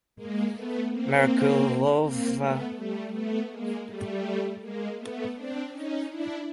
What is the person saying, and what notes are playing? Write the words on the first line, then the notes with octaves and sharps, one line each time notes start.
Merkulovka is the nearest rural locality.
G#3 A#3
A3 B3
A#3 C4
A#3 C4
A3 B3
G3 A3
A3 B3
G#3 A#3
G3 A3
G#3 A#3
A3 B3
C4 D4
C#4 D#4
D4 E4